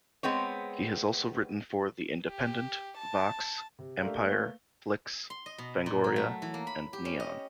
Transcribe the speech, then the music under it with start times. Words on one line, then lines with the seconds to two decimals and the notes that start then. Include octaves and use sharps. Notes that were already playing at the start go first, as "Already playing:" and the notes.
He has also written for "The Independent", "Vox", "Empire", "Flicks", "Fangoria" and "Neon".
0.23 G#3 B3 C4 C#5
2.29 G4
2.98 A5
3.79 C3
4.01 A3 D4 G4 A4 A#4 F5
4.26 A3 A#3 B4 C#5 F5 G7
5.30 C6
5.46 D#5
5.58 B2
5.86 A#2
6.04 F#3
6.16 A3
6.42 E3
6.54 A#3
6.67 B5
6.93 G4
7.05 C#4
7.20 D#5